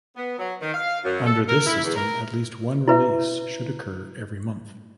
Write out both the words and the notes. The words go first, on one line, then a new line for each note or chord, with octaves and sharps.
Under this system, at least one release should occur every month.
B3
F#3
D#3
F5
F#2
A4
A#4
E4
E2
A#4
E4 B4 E5